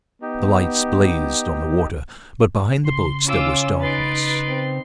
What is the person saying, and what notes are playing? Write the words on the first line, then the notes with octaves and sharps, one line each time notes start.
The lights blazed on the water, but behind the boats there was darkness.
B3 D#4 G4
C#3 C6
C#4 F4 D6 E6
D#4 B4 C6 A6 D7
C4